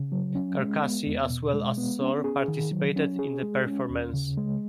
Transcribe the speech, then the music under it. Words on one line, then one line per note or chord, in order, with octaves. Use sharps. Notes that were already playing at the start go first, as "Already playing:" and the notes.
Carcassi, as well as Sor, participated in the performance.
Already playing: C#3
F#3
C#4
G#3
B3
E2
B2
G#3
B3
C#4
G#4
D#3
F#3
C#4
G#4
G#3
C#4
D#2
C#3
G#3